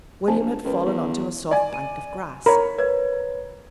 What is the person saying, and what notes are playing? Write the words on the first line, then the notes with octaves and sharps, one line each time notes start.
William had fallen on to a soft bank of grass.
F1 C5 G#5 A5
A#1
C#2 A#4 B4
E2
D5 G#5
D#7
A#4 C#5 B5
B4 C#5 G#6